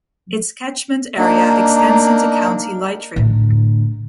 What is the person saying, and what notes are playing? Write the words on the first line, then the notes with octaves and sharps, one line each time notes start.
Its catchment area extends into County Leitrim.
A#3 D4 D#4
A2 D3